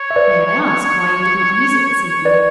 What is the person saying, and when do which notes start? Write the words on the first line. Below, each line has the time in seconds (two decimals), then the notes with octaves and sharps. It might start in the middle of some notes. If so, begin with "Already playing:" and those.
"May I ask why you did not use it this evening?"
Already playing: C#5
0.11 E5
0.16 B4 D5
2.25 B4 D5